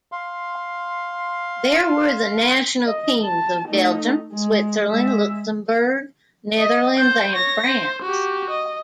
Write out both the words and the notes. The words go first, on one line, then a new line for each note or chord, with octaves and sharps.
There were the national teams of Belgium, Switzerland, Luxembourg, Netherlands, and France.
F5 C6
D#5
A5
A3 D#4
G#3
G#3 E5
D#5
C5 G6
C#5 A#6
C5
F#4 G4
D#5